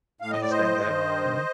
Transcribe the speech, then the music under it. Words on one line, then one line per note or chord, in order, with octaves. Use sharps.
understand that, mhm.
A2 F5
D#5
D5
C5 D#5
G2 D#3